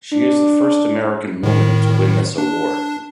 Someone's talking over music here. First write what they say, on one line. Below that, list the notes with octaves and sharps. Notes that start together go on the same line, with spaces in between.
She is the first American woman to win this award.
D4
A2 D#3
D4